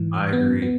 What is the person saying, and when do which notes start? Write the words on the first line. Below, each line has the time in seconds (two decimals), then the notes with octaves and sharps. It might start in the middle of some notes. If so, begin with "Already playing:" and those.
I agree.
Already playing: G#2 E3
0.33 B3
0.62 B3